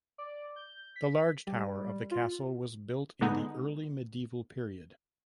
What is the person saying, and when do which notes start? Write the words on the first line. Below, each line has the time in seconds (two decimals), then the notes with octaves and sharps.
The large tower of the castle was built in the early medieval period.
0.18 D5
0.56 G6
0.96 B6
1.47 G3
2.11 F4
3.21 D3 G#3 B3 D#4